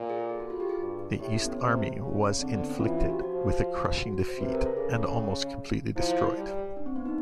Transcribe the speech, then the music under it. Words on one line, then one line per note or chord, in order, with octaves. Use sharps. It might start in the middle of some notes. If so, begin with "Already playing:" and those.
The East Army was inflicted with a crushing defeat and almost completely destroyed.
Already playing: A#2
G#4
A4
G#4
F#4
F4
G4
G#4
G2
A2 G4
C#4
B3
C3
C#3
D3 C4
B3
C4
C#4
E3 F4
F#4
G4
F3 F#4
F#4
C5
C3 B4
A#4
A4
C#3 G#4
F3 E4
G3
D4
C4
B3
D#4